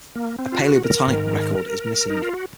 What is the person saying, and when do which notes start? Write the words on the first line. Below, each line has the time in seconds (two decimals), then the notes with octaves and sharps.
A Paleobotanic record is missing.
0.15 A#3
0.39 C4
0.52 F4
0.62 F#4
0.84 A#4
1.07 G#2 D#3
2.10 D#4
2.22 F4
2.33 F#4